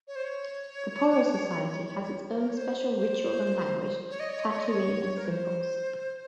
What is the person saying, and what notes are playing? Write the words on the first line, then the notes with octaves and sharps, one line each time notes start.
The Poro society has its own special rituals and language, tattooing and symbols.
C#5
C5
C#5
C5
A#4
C#5
C5
C5
C5
C#5
D#5
C#5
D#5
C#5
D#5
C#5
A#4
C#5
C5